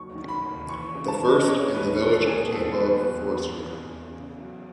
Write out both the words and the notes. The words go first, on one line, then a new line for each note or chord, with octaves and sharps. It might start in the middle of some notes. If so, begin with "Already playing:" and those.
The first - in the village of Tambov Forestry.
Already playing: D#2 D#3 F#3 C#6
D#3
B5
D#2
E3 C#6
C#3
A5
E3
D#5
E3 C#5
D#2 B4
D#2 A4
B2 G#4
E2 A4
F#3 B4
E2
E2
E2
E2
C#3
F#3